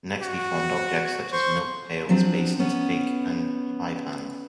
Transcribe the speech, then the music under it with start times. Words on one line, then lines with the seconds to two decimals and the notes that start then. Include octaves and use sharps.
Next, he formed objects such as milk pails, basins, cake and pie pans.
0.22 F#4
1.33 C5 C6 C#6
2.09 F3 F#3 C4 D4
2.59 B3 C#4